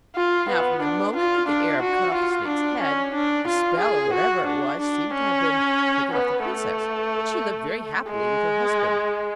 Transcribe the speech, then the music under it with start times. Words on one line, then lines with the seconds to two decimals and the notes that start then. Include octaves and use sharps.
Now, from the moment that the Arab cut off the snake's head, the spell, or whatever it was, seemed to have been taken off the princess, and she lived very happily with her husband.
0.16 F4
0.49 B3
0.82 D4
1.16 F4
1.48 D4
1.82 F#4
2.14 F4
2.47 D4
2.81 C#4
3.14 D4
3.47 F4
3.80 G#4
4.13 F#4
4.46 D4
4.80 D4
5.13 C#4
6.12 B3
6.45 A3
8.11 G#3